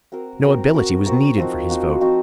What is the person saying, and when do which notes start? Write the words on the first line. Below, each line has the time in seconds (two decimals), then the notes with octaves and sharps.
No ability was needed for his vote.
0.12 C4 F#4 A#4
0.43 C4 F#4 A#4
0.74 C4 F#4 A#4
1.06 C4 F#4 A#4
1.38 F3 C4 D#4 F#4
1.69 F3 C4 D#4 F#4
2.01 F3 C4 D#4 F#4